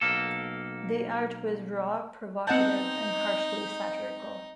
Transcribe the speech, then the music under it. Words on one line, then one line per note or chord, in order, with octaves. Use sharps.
The art was raw, provocative, and harshly satirical.
B1 A#3 A4
B3 C4 D#4 D#5 F#5 A5 G6